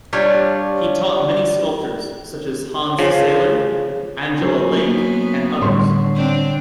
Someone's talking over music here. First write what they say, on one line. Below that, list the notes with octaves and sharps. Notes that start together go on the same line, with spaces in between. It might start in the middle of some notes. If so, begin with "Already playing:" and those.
He taught many sculptors, such as Hans Sailer, Angela Laich and others.
G3 D4 F4 C#5
C#3 F3
F#3 C#4 C5
A#3 B3
A2 D3 G3 C#5 C6
C4 D4